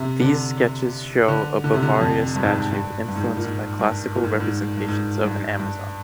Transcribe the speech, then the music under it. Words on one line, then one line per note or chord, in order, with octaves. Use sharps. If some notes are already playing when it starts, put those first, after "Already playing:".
These sketches show a Bavaria statue influenced by classical representations of an Amazon.
Already playing: C3
D3
D3
D3
C3
D3
F2
G2
G#2
G2
G2
G2
G#2
G2
A#2
G#2
G2
A#2
G#2
G2
G#2
G2
G#2
G2
G2